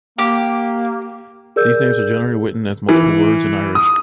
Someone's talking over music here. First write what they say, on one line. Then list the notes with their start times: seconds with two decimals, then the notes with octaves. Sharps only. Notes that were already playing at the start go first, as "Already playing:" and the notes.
These names are generally written as multiple words in Irish.
0.18 A#3 G4
1.56 G#4 A#4 D5 E6 G6
2.89 E3
3.75 D#6